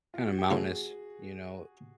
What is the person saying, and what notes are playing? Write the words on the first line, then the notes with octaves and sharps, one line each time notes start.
kinda mountainous, you know.
F4
F#4
G4
C#3 E3 A3 C#4 E4 F#4 G#4